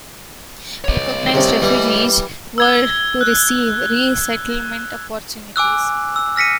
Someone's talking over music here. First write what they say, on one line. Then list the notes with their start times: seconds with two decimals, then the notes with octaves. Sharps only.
Recognized refugees were to receive resettlement opportunities.
0.84 C#5 D#5
1.34 C2 C3
1.62 E3 G3
2.58 E6 G#6 G7
3.21 F#6
5.56 G#5 D6 E6 F#6
6.16 E6
6.36 F6 A#6 B6 C#7 D#7